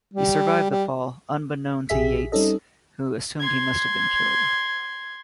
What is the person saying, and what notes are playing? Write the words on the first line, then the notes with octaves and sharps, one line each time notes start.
He survived the fall, unbeknown to Yates, who assumed he must have been killed.
G3
G3
A#1 G4 G#4 E5 B6
G3 C4 C#4 D#4 A4 D#5
C6 G#6